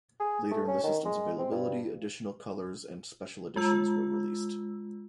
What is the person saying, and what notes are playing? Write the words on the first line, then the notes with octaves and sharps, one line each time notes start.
Later in the system's availability, additional colours and special editions were released.
G#4
A3
C#4
D#3
G#3
C4
G2
G#3 F4 E6